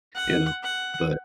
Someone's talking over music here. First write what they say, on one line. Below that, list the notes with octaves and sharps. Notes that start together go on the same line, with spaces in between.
you know, but
F#5
F#5